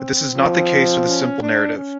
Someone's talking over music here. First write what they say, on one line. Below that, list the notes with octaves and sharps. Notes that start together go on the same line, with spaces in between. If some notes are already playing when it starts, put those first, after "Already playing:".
But this is not the case with a simple narrative.
Already playing: C4
F3
C#4
D4
C#4